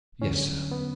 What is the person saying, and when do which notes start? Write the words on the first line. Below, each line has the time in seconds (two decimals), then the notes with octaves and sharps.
"Yes, sir."
0.21 E2 D3 F#3 C#4
0.72 B3